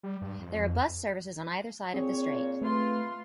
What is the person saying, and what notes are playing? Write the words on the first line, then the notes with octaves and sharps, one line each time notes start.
There are bus services on either side of the strait.
G3
G2
F2
A#2 C4 G#4 C5 C#5
A3 F4 B4 C6